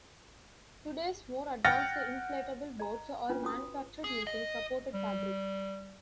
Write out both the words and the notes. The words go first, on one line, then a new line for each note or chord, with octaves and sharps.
Today's more advanced inflatable boats are manufactured using supported fabric.
F#5 G5 F6 A6 A#6
D#5 A#5
C#4 D4 F4 B4
C#4 F#4 D#6
G#4
D#5
G3